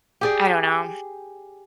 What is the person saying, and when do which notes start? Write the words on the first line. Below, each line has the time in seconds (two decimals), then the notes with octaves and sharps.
I don't know,
0.21 G4 G#4 D5